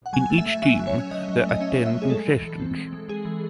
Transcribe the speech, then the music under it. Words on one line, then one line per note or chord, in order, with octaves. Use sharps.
In each team there are ten contestants.
F#5
F#3 G#5
A3
E5
A3
F#3 E5
F#3
C#5
C#4
F#3 D#5
F#3
A3 D#5
C#4 E5
A3
E5
F#3
G#4
G#3 A4
E3
E3
C4
G#3
G#3
G#3 G#4
E3